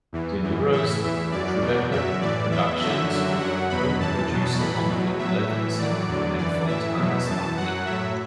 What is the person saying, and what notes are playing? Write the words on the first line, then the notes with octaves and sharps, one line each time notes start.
De Niro's Tribeca Productions will co-produce along with Levinson and Fontana's company.
E2 E3
F#2 E3
A2 E3 E5
E2 E3
F#2 F#3 D5
E2 B2 F#3
F#2 F#3 E5
A2 E3 D5
E2 E3 E5
F#2 D3 F#3 E5
F#2 D3 F#3 E5
F#2 F#3 F#5
E2 B2 F#3 B5
F#2 E3 A5
E2 B2 F#3
A2 E3 B5
E2 B2 F#3
A2 F#3 E5
A2 E3
A2 F#3 D5
E2 D3 F#3
F#2 E3 D5
A2 E3 E5
E2 B2 F#3
F#2 E3 A5
F#2 F#3 F#5
A2 F#3 E5